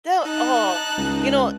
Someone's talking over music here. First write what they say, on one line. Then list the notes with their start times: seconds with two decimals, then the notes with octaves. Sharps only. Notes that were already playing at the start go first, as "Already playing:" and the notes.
the oh, you know,
0.25 D#4 A5 F#6
0.98 C#2